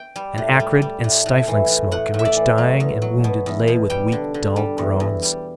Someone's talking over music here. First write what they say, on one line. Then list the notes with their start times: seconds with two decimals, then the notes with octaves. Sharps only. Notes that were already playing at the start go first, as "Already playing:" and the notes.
An acrid and stifling smoke in which dying and wounded lay with weak, dull groans.
Already playing: G5
0.16 G3
0.38 A2
0.60 G3
0.82 G3
1.04 A2
1.26 A2
1.48 E3
1.70 A2
1.91 A2 F#5
2.14 A2
2.19 E5
2.25 D5
2.36 E3
2.58 F#3
2.80 E2
3.02 F#3
3.24 B2
3.46 E2
3.68 B2
3.90 G3 G5
4.12 D3
4.34 D3
4.56 G3
4.78 E2
5.00 E2
5.22 G3